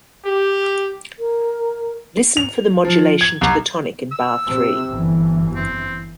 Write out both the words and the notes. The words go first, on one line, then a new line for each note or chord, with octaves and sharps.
Listen for the modulation to the tonic in bar three.
G4
A#4
F7
F3
G#6
C2
E6
C3
G1 E3
C4